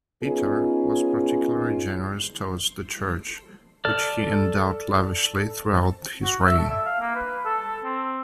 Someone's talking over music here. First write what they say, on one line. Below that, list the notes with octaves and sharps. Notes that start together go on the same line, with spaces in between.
Petar was particularly generous towards the Church, which he endowed lavishly throughout his reign.
B3 C#4 D#4 F4 G#4
A4 D5 F6
F#4
E5
A4
E5
F5
A#3
B4
A4
C4